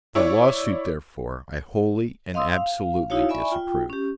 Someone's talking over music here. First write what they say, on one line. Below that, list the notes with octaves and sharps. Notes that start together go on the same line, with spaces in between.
The law-suit, therefore, I wholly and absolutely disapprove.
E4 C#5 D5
D#5 F5 C6 D#6 E6
F5
D#4 E4 F#4 C#5 F5
D5 E5 G#5 B5 C#6
F4 G5
C#4 G4